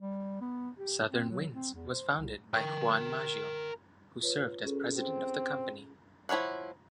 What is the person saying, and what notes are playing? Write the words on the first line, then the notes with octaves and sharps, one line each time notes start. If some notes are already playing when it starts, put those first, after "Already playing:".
Southern Winds was founded by Juan Maggio, who served as president of the company.
G3
B3
G4
C4
F#3
C4
E2
C5
C2
A#4 G5
F4 B4 C#5
C#4 G#4 A4
C4
F3 E4 C#5 F5 F#5